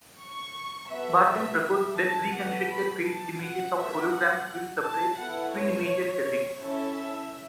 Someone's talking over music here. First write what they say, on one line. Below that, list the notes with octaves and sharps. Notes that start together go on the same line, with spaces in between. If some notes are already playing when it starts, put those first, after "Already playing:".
Barton proposed that reconstructed phased images of holograms will suppress twin images effects.
C#6
B3 F#4 A4 E5
E5
E5
A5
B3 F#4 A4 F#5
B5
A5
F#5
B3 F#4 A4 E5
F#5
A5
B3 E4 A4 F#5
C#5
C#4 E4 A4 E5